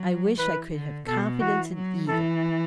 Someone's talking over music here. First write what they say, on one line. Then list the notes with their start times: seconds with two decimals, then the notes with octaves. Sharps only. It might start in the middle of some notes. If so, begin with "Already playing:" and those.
I wish I could have confidence in either.'
Already playing: F#3
0.38 E3 B4
0.73 D3
1.07 B2 A4
1.40 E3 F#4
1.75 F#3
2.08 E3 A4